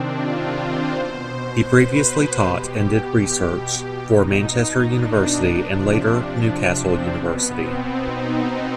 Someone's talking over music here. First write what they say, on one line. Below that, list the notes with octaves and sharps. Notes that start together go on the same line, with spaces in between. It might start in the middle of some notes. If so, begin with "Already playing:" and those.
He previously taught and did research for Manchester University and later Newcastle University.
Already playing: C3 D#3 C4 D4
F4
C5
B2
B4
B2 G4
B2 D#4
D4
C3 F3
C4
B2 B3
C4
D#4